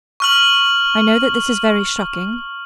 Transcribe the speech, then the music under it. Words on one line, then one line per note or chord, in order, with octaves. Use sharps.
I know that this is very shocking.
C#6 F6 F#7